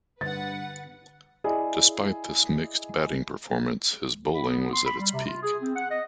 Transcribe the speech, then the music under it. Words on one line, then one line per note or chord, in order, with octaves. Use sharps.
Despite this mixed batting performance, his bowling was at its peak.
G2 D3 B4 F#5 A6
E4 G#4 D5 D#5
B5
B3
B3
C6
B5
G3
C3
F4
G#4
C4
F#5
D#5